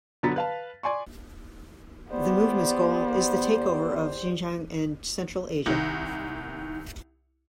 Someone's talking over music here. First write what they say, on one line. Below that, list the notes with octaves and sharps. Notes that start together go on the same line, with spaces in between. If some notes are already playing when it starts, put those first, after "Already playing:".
The movement's goal is the takeover of Xinjiang and Central Asia.
D3 F#3 B3 A#5 A6 B6
B4 F5 A5
D5 G#5 C6 C#6
E2 B3 G4 C5 D5
C2 D#3